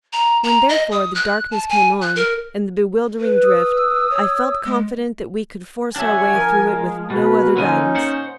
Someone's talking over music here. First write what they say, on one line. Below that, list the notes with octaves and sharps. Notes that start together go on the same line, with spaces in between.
When, therefore, the darkness came on, and the bewildering drift, I felt confident that we could force our way through it with no other guidance.
A#5
A#5
D#5
D#6
F#6
A5
G#5
F#6
A#4
B4
D#6 E6
C#5
G#3
F#2 D4 C#5 E5 F#5 G#5
F3 A#4
G#3
B2 A#3 F#4 B4
D3 C#4 D#4 G#5
C5 F#5